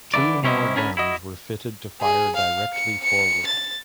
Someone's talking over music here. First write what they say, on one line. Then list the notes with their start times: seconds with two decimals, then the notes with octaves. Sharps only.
Two more guns were fitted to fire directly forward.
0.14 D3 E3 A#3 E4 D5
0.43 C2 C3 C#4 E4 C5 D#5
0.75 D3 C#4 A#4 G#5 A5 B5
0.97 E4 F#4 D#5
2.01 G#4
2.36 F5
2.74 C#7
3.04 C#7
3.46 A6